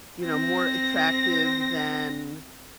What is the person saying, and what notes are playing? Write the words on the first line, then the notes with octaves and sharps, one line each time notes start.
you know, more attractive than,
C4 A#6